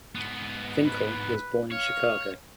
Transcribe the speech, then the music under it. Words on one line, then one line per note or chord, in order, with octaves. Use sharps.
Finkel was born in Chicago.
G#2 B3
B4
C#5 F5